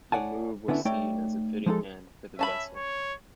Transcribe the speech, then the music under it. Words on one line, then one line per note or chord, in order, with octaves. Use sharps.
The move was seen as a fitting end for the vessel.
C#5 D5 F#5 G#5 A5
D3 B3 C#4 D4 E4
A3 D#4 C#5 D5 G5
F3 G#3 D#4 A4
C#4 E5 A5 B5
C#5